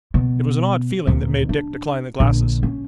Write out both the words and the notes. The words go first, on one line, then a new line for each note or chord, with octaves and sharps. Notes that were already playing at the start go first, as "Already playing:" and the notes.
It was an odd feeling that made Dick decline the glasses.
B2
D2 A#2
D4
A#1 D3
C#4